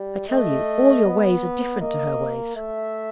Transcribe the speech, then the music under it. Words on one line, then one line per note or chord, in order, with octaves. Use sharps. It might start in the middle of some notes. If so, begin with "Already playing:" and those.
I tell you, all your ways are different to her ways.'
Already playing: G3
A3 D#5
B3
A#3 D#5
A3 E5